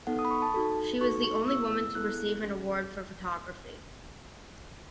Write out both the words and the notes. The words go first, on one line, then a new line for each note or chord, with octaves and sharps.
She was the only woman to receive an award for photography.
B3 D#4 A4 F#5
D#6
B5
C#6
A5
D#4 F#4 A4
D#4 F#4 A4 C#6
C#6
B3 E4 G#4 E6
E6
B3 E4 A4 F#6
C#4 G#4